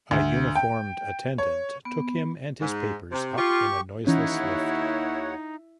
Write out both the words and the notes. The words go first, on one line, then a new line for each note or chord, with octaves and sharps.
A uniformed attendant took him and his papers up in a noiseless lift.
D2
G5
C#5
B3
G#2
C3
F4 G4 C#6
D#2 E3 C#4 D#4 E4 C#5 F#5